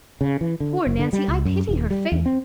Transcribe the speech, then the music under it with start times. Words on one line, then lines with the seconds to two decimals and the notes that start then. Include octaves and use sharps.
Poor Nancy, I pity her, faith!
0.21 C#3
0.41 E3
0.60 D3
0.87 F#1
0.99 D3
1.13 G3
1.28 C#2
1.45 F#2
1.69 D#1
1.91 G3
2.12 E2
2.26 C4